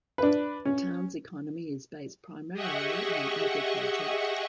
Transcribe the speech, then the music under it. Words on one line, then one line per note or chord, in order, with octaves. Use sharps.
The town's economy is based primarily on agriculture.
D4 B4
C#4
G4 G#4 D#5 E5 F#5 C#6